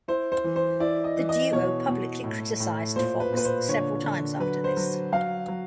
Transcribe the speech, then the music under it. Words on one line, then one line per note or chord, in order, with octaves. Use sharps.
The duo publicly criticized Fox several times after this.
E4 C5
C5
E3
C5
E4 D5
D#5
E3
D#5
B2 C#5
B2
A2
A2
A#2 C5
B4
A#2
B4
C5
D3 C#5
D3
F#3 B4
C5
F#3
F#3 F5
F#3